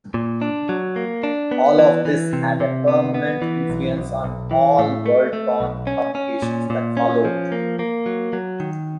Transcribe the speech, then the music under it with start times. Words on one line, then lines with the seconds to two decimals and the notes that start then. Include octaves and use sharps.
All of this had a permanent influence on all Worldcon publications that followed.
0.14 A#2
0.42 D4
0.69 F#3
0.96 A#3
1.23 D4
1.51 B3
1.79 E3
2.05 E3
2.33 C3
2.60 C3
2.88 B3
3.14 B3
3.42 E3
3.70 B1
3.97 B1
4.24 B1
4.51 E3
4.79 A2
5.06 A3
5.33 A3
5.60 B1
5.87 C#4
6.15 C#4
6.42 A#2
6.70 A#2
6.97 C#4
7.25 F3
7.52 A#3
7.79 A#3
8.06 F#3
8.33 F#3
8.60 D#3